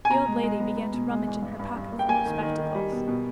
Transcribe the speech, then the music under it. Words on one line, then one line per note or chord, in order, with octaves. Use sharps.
The old lady began to rummage in her pocket for her spectacles.
G#5
B2 A#5
G#3
G#3
B3
B3
B2
G#3
E2
G2
G2
G2
A#3
G5
A#3 G#5
D#3
D#3
D#3
G3
B2
B2